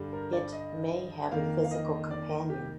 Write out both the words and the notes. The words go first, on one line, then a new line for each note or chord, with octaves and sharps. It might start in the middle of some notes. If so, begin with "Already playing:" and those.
It may have a physical companion.
Already playing: G2 D3 G3 D4
A#4
D5
D#5
F2 D#3 A#3 F5
F5
D#5
D5
G4